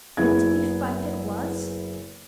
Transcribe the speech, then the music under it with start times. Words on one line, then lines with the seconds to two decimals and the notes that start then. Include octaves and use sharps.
Wouldn't it be fun if it was?
0.17 F#1 B3 E4 G#4 G#6